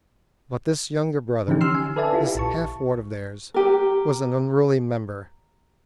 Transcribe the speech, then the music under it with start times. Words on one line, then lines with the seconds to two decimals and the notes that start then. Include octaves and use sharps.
But this younger brother, this half ward of theirs, was an unruly member.
1.48 D3 E3 F3 C#4 D#4 G4
1.61 C6 E6 F6 C7
1.75 G#5
1.96 A4 B4 D5 E5 G#5 A5
2.13 E4 F4 G4
2.35 A#1 A5 C#6
3.54 G4 A#4